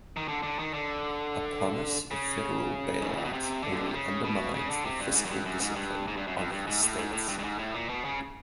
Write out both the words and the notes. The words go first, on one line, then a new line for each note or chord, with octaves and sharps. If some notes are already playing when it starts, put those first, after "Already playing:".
A promise of federal bailout only undermines the fiscal discipline of the states.
D#3
D3
D3
D#3
D3
C#3
G#2
A2
A#2
B2
C3
D3
A#2
B2
C3
C#3
B2
C#3
D3
C3
G2
G#2
F#2
G2
F#2
G#2
G2
G#2
G2
F#2
F2
G2
G#2
A2
G#2
A2
G2
G2
G#2
A2
A#2
B2
C#3